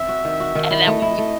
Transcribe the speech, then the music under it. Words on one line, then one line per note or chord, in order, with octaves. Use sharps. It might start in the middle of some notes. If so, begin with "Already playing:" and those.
And that would be
Already playing: C4 E5
F#4
D#3
F#4
D#3
E4 D#5
A3
E4
A3